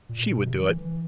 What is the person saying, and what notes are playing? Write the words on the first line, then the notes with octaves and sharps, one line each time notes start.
She would do it.
A#2
B2
D3
E3
E3